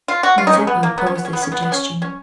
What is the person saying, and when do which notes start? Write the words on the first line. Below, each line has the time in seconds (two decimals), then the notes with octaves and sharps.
Mazeppa opposed this suggestion.
0.08 F4
0.23 F#4
0.38 F4
0.47 D#4
0.53 C#4
0.67 B3
0.83 A#3
0.98 B3
1.07 C#4
1.15 B3
1.25 C#4
1.33 B3
1.42 C#4
1.52 B3
1.62 B3
1.72 C#4
2.02 C#4